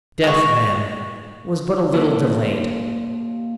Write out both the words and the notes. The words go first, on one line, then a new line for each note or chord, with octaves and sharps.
Death, then, was but a little delayed.
G#3 F#4
A#3 G4 C#5 D5 A5